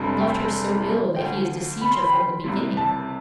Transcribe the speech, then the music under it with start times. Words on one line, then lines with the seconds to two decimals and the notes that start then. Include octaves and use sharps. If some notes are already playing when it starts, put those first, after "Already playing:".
'Loved her so ill that he has deceived her from the beginning.'
Already playing: F1 F2 C3 G3 D4
0.21 G5
1.16 D2 D3 F3 G5
1.81 B5
1.91 C6
2.02 B5
2.12 G5
2.44 C2 C3 G3
2.77 A5